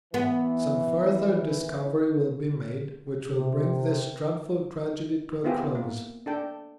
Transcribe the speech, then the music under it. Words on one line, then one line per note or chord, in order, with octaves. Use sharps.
Some further discovery will be made, which will bring this dreadful tragedy to a close.
E3 B3
C3
B3 C4 E4 F4 G4 G#4
A#3
D4 A4 G5